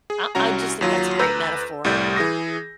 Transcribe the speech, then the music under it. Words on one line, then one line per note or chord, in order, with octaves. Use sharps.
I I just think that's a great metaphor
G#4
C2 C#4 F#4 A#5
D#2 F#3 F4
D2 B4 A#5 E6 G6
C2 A2 G3 D5 G6
E3 G#4 D#6 A#6